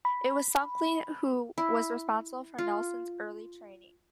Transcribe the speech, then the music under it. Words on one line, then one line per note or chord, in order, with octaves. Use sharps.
It was Suckling who was responsible for Nelson's early training.
B5
E4
F4